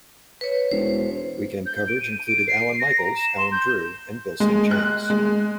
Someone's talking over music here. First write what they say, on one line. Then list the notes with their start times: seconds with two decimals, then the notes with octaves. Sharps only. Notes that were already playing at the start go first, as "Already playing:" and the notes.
Weekend coverage included Allan Michaels, Alan Drew and Bill Saint James.
0.41 B4 C#5
0.71 E1 C5
1.66 G6
1.88 D7
2.00 D#7
2.28 D7
2.48 C7
2.80 A#6
2.98 A#5
3.16 E7
3.37 C6
3.52 G6
4.40 G#3
4.71 F#6
5.10 G#3